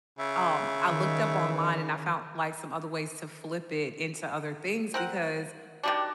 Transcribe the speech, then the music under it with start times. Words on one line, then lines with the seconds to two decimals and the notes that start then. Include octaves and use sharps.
um, I looked up online, and I found, like, some other ways to flip it into other things because
0.18 C#3 E5
0.89 D#3
4.94 C4 A#4 F#5
5.83 D#3 G3 D4 F#4 G4 D5